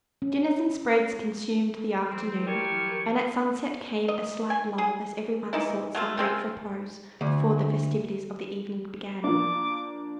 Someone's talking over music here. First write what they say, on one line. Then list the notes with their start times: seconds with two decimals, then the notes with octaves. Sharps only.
Dinners and spreads consumed the afternoon, and at sunset came a slight lull as everyone sought some brief repose before the festivities of the evening began.
0.22 C#4
2.08 E3 F#3 C4
2.47 G3 A#4 G#5 C6 C#6
4.08 D#5
4.50 G#5
4.78 G#4
5.53 E3 D#4 E4
5.95 F#3 A3 F4
6.17 C#3 C4 F4
7.21 D2
9.24 F3 A#3 D4 D6